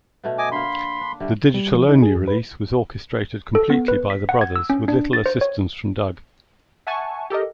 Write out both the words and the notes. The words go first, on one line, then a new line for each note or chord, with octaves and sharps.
The digital-only release was orchestrated completely by the brothers with Little assistance from Doug.
B2 A3 B3
D#5 G#5 D6
D3 A#3 B5 C6
D4
D3 G3 A3
G3
F3
D#4
G#4
F2
B4
A4
B3
B4
B6
F#5
G#6
E6
C#4
D4
A6
C5
C#5
E5 F#5 G#5 A5 C#6
G4 A4 A#4 D#5